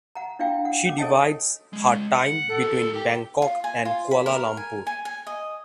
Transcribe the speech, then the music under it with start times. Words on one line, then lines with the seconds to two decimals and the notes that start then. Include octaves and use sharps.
She divides her time between Bangkok and Kuala Lumpur.
0.15 F#5 A#5
0.39 D4 E4 F4 F5 G5
0.65 F#5
0.86 C#4 D6
0.98 A4 C#5 D#5 G#5 A5
1.73 C#2 G#3
2.14 F#5
2.49 A4
2.62 G4 A#4
2.94 G4 G5
3.42 F4
3.64 G#5
3.85 F4
4.11 B5
4.26 A#4
4.57 G#5
4.87 G#5
5.05 G#5
5.27 D#5